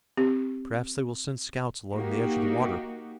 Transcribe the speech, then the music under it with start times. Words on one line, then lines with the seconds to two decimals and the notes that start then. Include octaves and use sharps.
Perhaps they will send scouts along the edge of the water.
0.17 C4 G4
1.93 A#3 D#4 F#4 G4